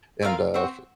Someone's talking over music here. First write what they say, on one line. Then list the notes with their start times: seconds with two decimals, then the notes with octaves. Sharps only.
and, uh, f
0.23 C4 F4 A#4 F5
0.54 C4 F#4 C5